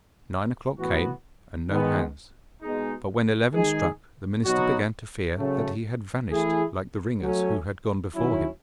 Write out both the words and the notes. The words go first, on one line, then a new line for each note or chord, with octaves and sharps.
Nine o'clock came, and no Hans, but when eleven struck the minister began to fear that he had vanished like the ringers who had gone before him.
A2 E3 B3 F#4
D#3 G#3 B3
B2 G#3 D#4
D#3 G#3 D#4 G#4
B2 F#3 B3 D#4 F#4
C#3 F#3 A3
E3 A3 E4 G#4
F#3 A3 C#4
D#3 F#3 C#4 E4